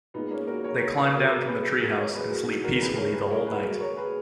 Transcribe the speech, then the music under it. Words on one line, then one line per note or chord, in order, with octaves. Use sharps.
They climb down from the treehouse and sleep peacefully the whole night.
A#2 G#3 B3 D#4
A#3 C#4
F#4 A#4
A#4 C#5
A#4 C#5
G#4 B4
F#4 A#4
B4
F#4 A#4
G#4 B4
G#4 B4
F#4 A#4
A#4 C#5
G#4 B4
F#4 A#4
D#4 F#4
F#4 A#4
A#4
D#2 C#3 E3 G#3 G#4 B4
A#4 C#5
G#4 B4
A#4 C#5
G#4 B4
F#4 A#4
A#4 C#5
G#4 B4